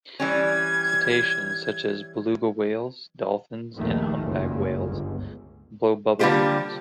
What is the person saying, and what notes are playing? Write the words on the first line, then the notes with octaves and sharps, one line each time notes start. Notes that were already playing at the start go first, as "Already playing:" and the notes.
Cetaceans, such as beluga whales, dolphins and humpback whales, blow bubble rings.
E3 G3 C#4 G#6
A#1 D#2 D#3 A3
F#1 C#2 G2 C#3
G1 C#2
D3 G3 A#3 F4 G4 C5